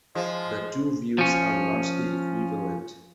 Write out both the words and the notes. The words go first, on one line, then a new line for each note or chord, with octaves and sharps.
The two views are largely equivalent.
F3 G#3
F3 C#4